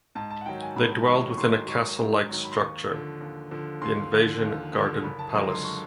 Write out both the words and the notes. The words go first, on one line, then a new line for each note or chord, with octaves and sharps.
They dwelled within a castle-like structure, the Invasion Garden Palace.
G#2 A5
A5
F#5
D#3 F#3 G5
G#5
G#2 B5
D#3 F#3 C#6
C#6
G#2 C6
D#3 F#3 C#6
G#2
D#3 F#3
B5
C6
D#2 C#6
D3 F3
D#2
D3 F3
D#2 C6
D3 F3
D#2
D3 F3
F#1 B5
A5
F#2 D3 F3 G#3 A#5
C6
C#6